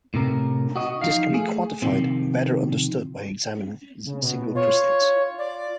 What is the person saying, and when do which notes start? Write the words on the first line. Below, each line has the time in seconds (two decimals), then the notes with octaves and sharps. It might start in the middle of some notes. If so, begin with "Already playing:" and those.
This can be quantified and better understood by examining single crystals.
0.14 A2 C3 A#4
0.76 F#4 D#5
1.01 F3 D#4 F5
1.30 A3 G#4
1.82 C3 D#3 F3 C4
4.06 C#3
4.22 B2
4.55 F4 C#5
5.38 D5